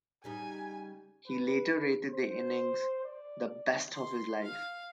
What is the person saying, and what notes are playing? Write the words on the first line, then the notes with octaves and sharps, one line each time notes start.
He later rated the innings the "best of his life".
C#3 G3 D#4 G#5
B4
C5
D5
C6
F5